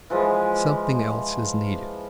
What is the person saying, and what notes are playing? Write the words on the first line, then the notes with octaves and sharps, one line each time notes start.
Something else is needed.
E3 F3 G#3